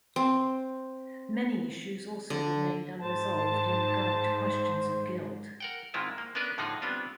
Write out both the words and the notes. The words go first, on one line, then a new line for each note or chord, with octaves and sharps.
Many issues also remained unresolved in regard to questions of guilt.
C4
D3
G#2 G#3 C5 A5
A#4 F#5 G5
G#2 D#3 G#3 C4 E4 F4
A#3
B3 C#4 D4 A#4 B4
A2 D3 F3 D#4 G#4
G3 B3 C4 D4 F4